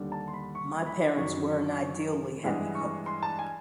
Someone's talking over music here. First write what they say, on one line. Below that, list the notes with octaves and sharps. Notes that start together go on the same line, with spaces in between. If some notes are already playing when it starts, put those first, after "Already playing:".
My parents were an ideally happy couple.
Already playing: D#2 D3 G3
A5
C6
B5
C#6
B5
F#2 D#3 F#3 C#6
G2 E3 G#3
C#6
C6
A5
G#5